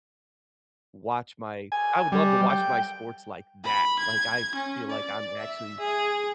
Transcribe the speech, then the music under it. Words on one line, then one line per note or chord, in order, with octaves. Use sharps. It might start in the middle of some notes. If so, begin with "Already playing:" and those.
watch my I would love to watch my sports like that, like, I feel like I'm actually
G#5
G3
G5
B5
G#6
C#4
D5
E5
G#4